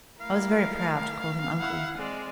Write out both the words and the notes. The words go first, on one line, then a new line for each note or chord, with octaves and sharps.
I was very proud to call him uncle.
A3 E4 A#4 F5
E4 E5 F#5
G#3 C4 D5